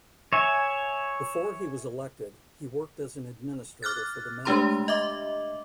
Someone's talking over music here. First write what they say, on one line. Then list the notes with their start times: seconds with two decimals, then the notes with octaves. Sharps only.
Before he was elected, he worked as an administrator for the Mayo Clinic.
0.33 C#5 E5 G#5
3.83 D6 F6 F#6 A6
4.45 G#3 A3 D4 G4 A#5 C6
4.88 D#5 E5 D6